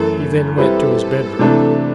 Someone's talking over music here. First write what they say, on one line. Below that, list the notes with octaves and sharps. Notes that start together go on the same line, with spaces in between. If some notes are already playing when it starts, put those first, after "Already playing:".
He then went to his bedroom.
Already playing: F#2 E3 A3 A4
G3 C4 E4 G4 A4 B4
C3 E3 A3 D4